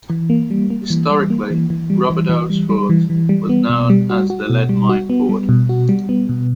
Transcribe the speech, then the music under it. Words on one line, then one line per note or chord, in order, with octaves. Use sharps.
Historically, Roberdeau's fort was known as the "Lead Mine Fort".
E3
A#3
G3
A#3
E3
G3
A#3
E3
E3
G3
E3
E3
G3
G3
E3
E3
G3
B3
B2
G3
F#4
F#4
B2
G3
F#4
B3
G3
B2
F#4
G3
B3
B2